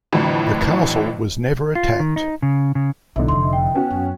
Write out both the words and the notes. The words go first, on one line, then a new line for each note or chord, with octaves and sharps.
The castle was never attacked.
A1 F2 A2 D3 F#3
F4
D#3
D#4
C#3
C#3
B1 D3 D#4 E4
F1 F2 C6
G5
B3 C#4 F#4
F#2